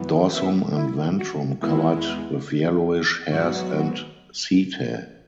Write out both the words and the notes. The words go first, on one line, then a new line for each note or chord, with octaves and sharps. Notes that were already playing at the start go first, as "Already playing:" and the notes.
Dorsum and ventrum covered with yellowish hairs and setae.
Already playing: F#2 E3 B3
E5
E4
F#4
E2 E3 G#3 B3 E4
G#2 F#3 B3 F#4